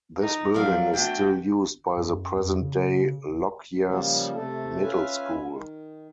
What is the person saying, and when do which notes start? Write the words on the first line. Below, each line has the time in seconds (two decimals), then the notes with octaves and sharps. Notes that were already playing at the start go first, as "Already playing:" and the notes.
This building is still used by the present day Lockyer's Middle School.
0.21 D#4
0.54 F#3 A#4 D5 F5
0.94 A3 B3 D4 F#4 G5
1.97 F#2
2.36 F2
2.61 C#3
3.86 C#3 F3 G3 A#3
4.34 C3 A3 A4
4.82 C#4 F4 B4 E5 G#5
5.49 D#3